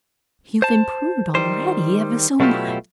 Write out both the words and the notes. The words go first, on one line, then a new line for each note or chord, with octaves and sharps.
You've improved already, ever so much.
C5 A5
D#3 G3 C5
B2 F#3 A3 E4 F4 G4